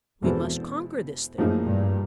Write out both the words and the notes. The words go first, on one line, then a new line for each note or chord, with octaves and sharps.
We must conquer this thing.
E2 B2 G#3 C4 E4 A4
F#2 A2 F3 A#3 D#4 G#4
G2